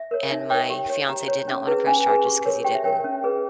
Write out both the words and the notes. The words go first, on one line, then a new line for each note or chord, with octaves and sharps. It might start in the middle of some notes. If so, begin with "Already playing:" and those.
and my fiance did not wanna press charges, 'cause he didn't
Already playing: E5
A#4 C#5
D#4 E5
A#4 C#5 G5
G4
C#5
G4 A#5
C#5
C#4
E4 G#4 B4
C#4 G#5
E4 G#4 B4
G4
A#4 C#5
G4 G5
E5
A#4 C#5 G5
C#4
G#4 B4